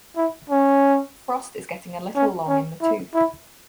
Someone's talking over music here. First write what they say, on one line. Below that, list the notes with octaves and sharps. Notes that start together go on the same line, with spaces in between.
Frost is getting a little long in the tooth.
E4
C#4
C#4
C#4
E4
E4